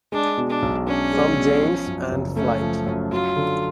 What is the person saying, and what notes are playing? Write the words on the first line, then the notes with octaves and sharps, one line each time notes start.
From Jane's and Flight.
G#3 D4
B2
D4
B1
C#4 D4
G#3
B2
F3
F#2
F#1
A3 C#4
F3
F#2
F#3 F4
D3